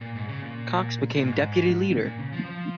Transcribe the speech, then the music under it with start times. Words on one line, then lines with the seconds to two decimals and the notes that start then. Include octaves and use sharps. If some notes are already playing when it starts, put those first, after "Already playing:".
Cox became deputy leader.
0.01 A#2
0.15 G#2
0.29 C#3
0.42 A#2
1.14 A#2
1.24 G#2
2.05 A#2
2.18 C#3
2.33 F3
2.46 F3